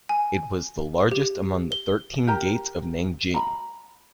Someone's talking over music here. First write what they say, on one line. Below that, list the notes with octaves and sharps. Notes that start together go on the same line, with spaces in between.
It was the largest among the thirteen gates of Nanjing.
G#5
G4
G7
G4 A#4 A#5
A#5 B5